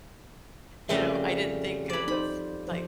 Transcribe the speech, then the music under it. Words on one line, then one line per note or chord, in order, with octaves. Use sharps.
you know, I didn't think of, like,
F2 C#3 G3 A3 A#4 E5
F3 D5 B5
D#4 C5 B5
F3 C5